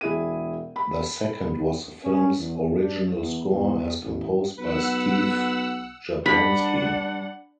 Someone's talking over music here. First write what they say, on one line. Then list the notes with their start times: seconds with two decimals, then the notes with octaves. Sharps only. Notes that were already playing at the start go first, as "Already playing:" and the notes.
The second was the film's original score as composed by Steve Jablonsky.
0.01 E1 E4 G#4 D#7
0.76 B5
2.04 C#4
2.39 E2
2.79 D4
3.13 E2
3.49 E2
4.02 A1
4.58 B1 B4 F#5 E6
6.26 G2 D4 F#5 B5